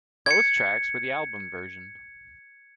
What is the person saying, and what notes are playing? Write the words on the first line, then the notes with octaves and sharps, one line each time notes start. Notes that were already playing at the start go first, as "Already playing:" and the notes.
Both tracks were the album version.
G#6 C#7